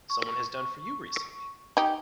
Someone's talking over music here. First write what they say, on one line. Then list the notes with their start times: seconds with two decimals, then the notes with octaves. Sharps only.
someone has done for you recently?
0.10 C#6
1.77 D#4 G4